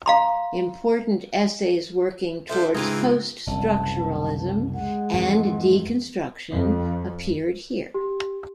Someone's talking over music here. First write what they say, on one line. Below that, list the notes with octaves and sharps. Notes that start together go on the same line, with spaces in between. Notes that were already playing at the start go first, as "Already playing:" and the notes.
Important essays working towards post-structuralism and deconstruction appeared here.
F5 A#5 C6
F3 D4 A4 C5 E5
G#2 C#3 E3 G#3 C4 D#4 F4 A#5
F#1 C2 A5
G#3 F#5
F2 G#2 E3
F2
G4